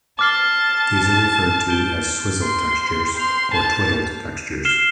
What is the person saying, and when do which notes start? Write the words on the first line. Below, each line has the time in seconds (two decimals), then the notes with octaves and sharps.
These are referred to as "swizzled textures" or "twidled textures".
0.19 A5 D6 F6 C7 G7
1.68 G6 D7 G7
2.42 C6
3.16 C6 G6 C7 F7
3.54 A5
4.65 F6 C7 E7 G7